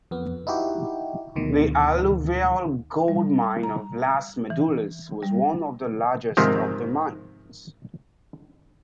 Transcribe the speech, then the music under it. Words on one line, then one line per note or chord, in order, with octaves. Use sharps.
The alluvial gold-mine of Las Medulas was one of the largest of their mines.
F2 B3
D#4 E4 F#4 G4
D2 B2 D#3
G3
A#5
E3
G3
G#2 C3 D#3 F3